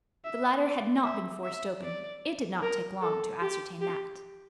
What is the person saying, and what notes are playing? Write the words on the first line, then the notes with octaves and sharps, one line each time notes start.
The latter had not been forced open--it did not take long to ascertain that.
E5
D5
E5
E5
D5
A#4
A4
G4
G4